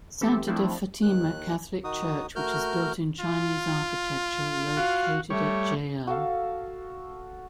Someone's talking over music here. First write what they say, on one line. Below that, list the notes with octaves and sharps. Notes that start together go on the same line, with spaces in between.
Santa de Fatima Catholic Church, which is built in Chinese architecture located at Jl.
E3 C4 G4 A4
F3 A3 C4 D4 E4
D#2 D#3 F#6
D#3 D#4 F#4 D#6
A3 F#4 A#4 F6 G6
F4
F#4 F5
G3 A3 C#5
F#4 A4 F5